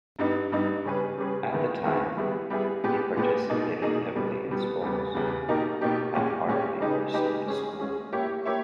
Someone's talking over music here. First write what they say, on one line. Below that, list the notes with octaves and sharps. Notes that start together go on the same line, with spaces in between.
At the time, he participated heavily in sports, but half-heartedly pursued school.
G2 G3 B3 D#4
G2 G3 B3 D#4
C#3 G3 C#4 G#4 B4
C#3 G3 C#4 G#4 B4
D#3 G#3 B3 E4
D#3 G#3 B3 E4
G3 B3 E4 G#4
G3 B3 E4 G#4
A#2 G#3 B3 G4 B4
A#2 G#3 B3 G4 B4
B2 A#3 D#4 G#4
B2 A#3 D#4 G#4
B2 G3 B3
B2 G3 B3
E2 C#3 G3 B3
E2 C#3 G3 B3
B2 A#3 D#4 G4 A#4
B2 A#3 D#4 G4 A#4
A#2 G#3 C#4 G4
A#2 G#3 C#4 G4
C#3 G#3 D#4 G4 B4
C#3 G#3 D#4 G4 B4
G#3 C#4 G#4
G#3 C#4 G#4
A#3 E4 G4 C#5 E5
A#3 E4 G4 C#5 E5